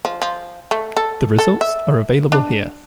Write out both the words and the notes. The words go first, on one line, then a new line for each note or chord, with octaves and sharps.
The results are available here.
F3
F3
A3
A4
A4
E5
D4